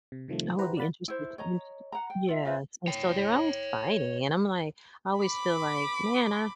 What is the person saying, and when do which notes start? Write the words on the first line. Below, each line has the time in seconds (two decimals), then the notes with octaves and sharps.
I would be interested interested yeah, and so they're always fighting, and I'm like I always feel like, "Man, I"
0.12 C3
0.28 C3 D#3 F3 G3 A3
0.58 E4 G4 B4 C5 F#5 A#5
0.77 D5 F5 F#5 B5 A6
1.08 E4 C5
1.38 C#5 D#5 A#5
1.92 F#5 A#5
2.10 G5
2.28 F4 E5
2.45 F4 B4 C5 E5
2.87 C#5 G5
5.19 B5 D6